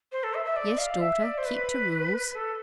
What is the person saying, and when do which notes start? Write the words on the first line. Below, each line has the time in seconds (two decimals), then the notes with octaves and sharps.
"Yes, daughter; keep to rules."
0.12 C5
0.24 A4
0.34 E5
0.45 E5
0.56 D5
0.78 F5
1.00 E5
1.23 D5
1.38 C5
1.46 B4
2.34 A4